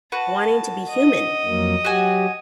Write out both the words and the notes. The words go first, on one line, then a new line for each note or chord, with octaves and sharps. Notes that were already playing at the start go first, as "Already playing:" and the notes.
wanting to be human.
F#4 B4 A5
D#5
F2 F#3 A#3
F#3 F#4 G4 G#5